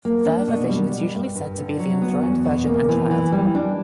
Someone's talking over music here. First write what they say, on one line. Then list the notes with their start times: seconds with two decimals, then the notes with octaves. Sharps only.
There the vision is usually said to be the enthroned Virgin and Child.
0.05 A#3
0.26 D4
0.47 B2
0.69 G3
0.92 G3
1.14 G2
1.36 G2
1.58 D3
1.79 F#3
2.02 B3
2.22 E2
2.45 B2
2.67 A#3
2.89 E3
3.11 E3
3.32 G3
3.55 D4